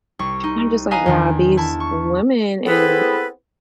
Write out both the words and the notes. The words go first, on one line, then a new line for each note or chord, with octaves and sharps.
and I'm just like, "Wow, these women, and"
C2 C#6
D#4
B4 D#5 F5 G#5 A#5 D#6
E2 D#3 D4
E4 A5
C#6
B3 C4 E4 G#4 A4 B4